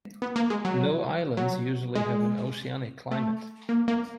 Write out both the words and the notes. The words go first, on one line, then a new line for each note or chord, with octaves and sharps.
Low islands usually have an oceanic climate.
B3
A#3
G#3
F#3
F#3
G#3
A3
A#3
A#3